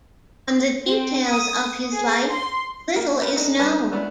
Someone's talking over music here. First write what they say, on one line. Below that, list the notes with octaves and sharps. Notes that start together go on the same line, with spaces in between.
On the details of his life, little is known.
C4
D#6
G#4
C6
A#3
F4 G4 A#4 B4
D4 D#4 A4
G3 B4 C#5 G#5 A5
A#3
A3 B3 C#4 D4 E4